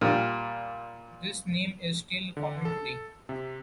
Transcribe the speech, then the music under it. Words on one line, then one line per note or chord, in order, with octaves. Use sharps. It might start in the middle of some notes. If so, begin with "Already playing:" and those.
This name is still common today.
A#2 G3
D3
A4
C3